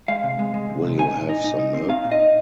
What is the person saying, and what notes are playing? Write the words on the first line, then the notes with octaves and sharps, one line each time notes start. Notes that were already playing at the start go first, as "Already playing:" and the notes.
Will you have some milk?
G#3 F5
C3
G#3
G#3
C3
C3
D#4 G#5
A#2
D#4
D#4
D#4
C4
D#4 F5
A#2
D#5
D#4